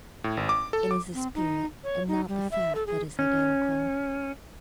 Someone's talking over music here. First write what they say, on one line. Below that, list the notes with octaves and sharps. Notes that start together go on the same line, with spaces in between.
It is the spirit and not the fact that is identical.
A2
G#1
D6
A4
D6
C4
D#4
C#5
D#4
G3
E5
A4
G#4
C#4